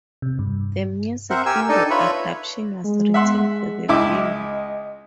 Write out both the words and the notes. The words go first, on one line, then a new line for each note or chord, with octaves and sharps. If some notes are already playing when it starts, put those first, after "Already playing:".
The music in the adaptation was written for the film.
C3
G2
C4 A#4 C5 E5 F#5
G4 A#4 G#5 E6
D4 D#4 A4 D#5
F4 B4 C#5 E5 B5
G#3
E5 F#5 C6
C#2 E4 D#5 D6